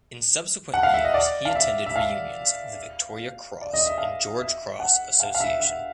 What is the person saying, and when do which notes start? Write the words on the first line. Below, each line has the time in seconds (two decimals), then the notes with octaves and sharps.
In subsequent years he attended reunions of the Victoria Cross and George Cross Association.
0.74 F#5
0.83 F5
0.94 E5
1.05 D#5
1.14 D5
1.45 F5
1.55 E5
1.86 E5
1.96 F5
3.62 D5
3.74 D#5
3.86 E5
3.98 F5
4.39 E5
4.80 F#5
5.20 F5
5.35 F5
5.41 E5
5.60 E5